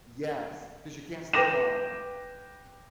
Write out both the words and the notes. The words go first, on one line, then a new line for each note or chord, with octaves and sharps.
Yes, 'cause you can't stay long enough.
B4 G5 D6 A#6 E7